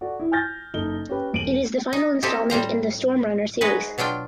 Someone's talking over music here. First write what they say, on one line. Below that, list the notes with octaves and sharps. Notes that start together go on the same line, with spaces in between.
It is the final installment in the "Storm Runner" series.
F#4 A4 D5
E4
G#5 F6 G6 A6 A#6
F#1 D#4 A4 G7
C#4 G4 B4
E1 D7 D#7 F#7
D#4
C4 D#4 E4 G4 A4
A2 G3 C5 A#5
G#3 D#4 F#4 B4
B2 F#3 D4 F4 G5